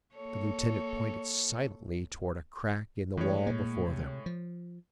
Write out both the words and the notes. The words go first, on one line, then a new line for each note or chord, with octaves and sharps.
The lieutenant pointed silently toward a crack in the wall before them.
A#3 A4 C#5
A2 E3 G#3 C#5
A#2 A#3
C3
F3